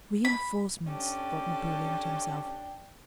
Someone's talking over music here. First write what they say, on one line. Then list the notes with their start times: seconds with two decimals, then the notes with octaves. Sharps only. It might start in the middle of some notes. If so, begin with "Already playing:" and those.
"Reinforcements!" thought Napoleon to himself.
0.25 B5
0.87 C#4 D4 G4 A4 G5